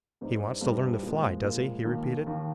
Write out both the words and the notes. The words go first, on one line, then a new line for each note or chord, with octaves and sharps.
"He wants to learn to fly, does he?" he repeated.
G2 G3 C4 D#4
G2 G3 C4 D#4
A#2 F3 G#3
A#2 F3 G#3
D#2 D#3 A#3
D#2 D#3 A#3